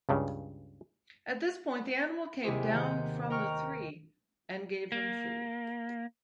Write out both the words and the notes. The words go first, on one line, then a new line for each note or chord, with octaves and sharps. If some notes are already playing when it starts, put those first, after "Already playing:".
At this point the animal came down from the three and gave them food.
C#2 G2 C#3
D#2 C3 E4 G4 G#4 C5
D#3 F#5 G6
A#4 G5 A#5 C#6 F6
A#3